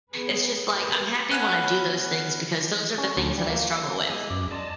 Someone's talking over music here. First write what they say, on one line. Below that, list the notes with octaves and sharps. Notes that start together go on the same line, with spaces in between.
it's just, like, I'm happy when I do those things because those are the things that I struggle with.
B3 G#4 B4
A#3 G4 G#4 A#4 B4
B3 C#4 B4
C#4
D2
G3
A#3
G#3 B3 E4
F#2 D6
D5 D#5 A5 C6